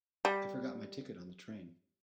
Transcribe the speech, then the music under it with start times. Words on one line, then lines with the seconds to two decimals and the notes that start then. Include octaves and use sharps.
I forgot my ticket on the train.
0.25 G3